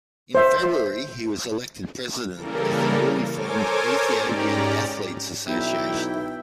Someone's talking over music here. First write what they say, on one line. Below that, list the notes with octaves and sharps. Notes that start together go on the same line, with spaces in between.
In February, he was elected president of the newly formed Ethiopian Athletes' Association.
C5 E5
C#3 E3 G3 A#3 A4 A#4
A4 A#4 C5 C#5 G#5 D6
G#2 C#4 G4 D5 A#5
B1 G2 E3 D#4 E4 E5 G5